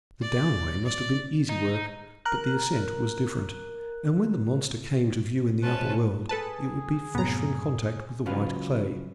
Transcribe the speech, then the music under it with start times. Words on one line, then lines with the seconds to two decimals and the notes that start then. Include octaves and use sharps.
The downway must have been easy work, but the ascent was different, and when the monster came to view in the upper world, it would be fresh from contact with the white clay.
0.21 D5
0.84 D5
1.49 D#4
2.25 A#4 F#6
5.62 B2 F3 G#3 C#4 F4 B4 E5 A5
6.29 G#4 A4 B4 A5
7.15 F#2 A2 C3 B3 A#5
8.26 C#3 F#3 F4 B4